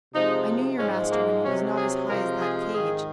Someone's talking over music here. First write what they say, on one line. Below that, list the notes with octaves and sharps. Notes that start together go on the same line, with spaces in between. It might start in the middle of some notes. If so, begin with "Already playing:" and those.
I knew your master when he was not as high as that cage.
C3 F3 G#3 D#4
G#2 F3 G#3 C#4
A#3
C3 F#3 C#4
G#4
C3 F3 G#3 A#4
G#4
G#2 D#3 G#3 G#4